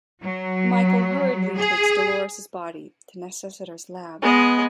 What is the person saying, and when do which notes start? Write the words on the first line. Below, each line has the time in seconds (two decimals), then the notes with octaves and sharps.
Michael hurriedly takes Dolores's body to Necessiter's lab.
0.23 F#3
1.57 G#4
4.22 G#3 B3 D#5